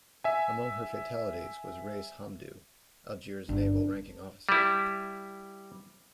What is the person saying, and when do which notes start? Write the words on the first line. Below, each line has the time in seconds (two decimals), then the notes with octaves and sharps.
Among her fatalities was Rais Hamidu, Algiers' ranking naval officer.
0.24 E5 G#5
3.49 G1 D4
4.49 G3 E4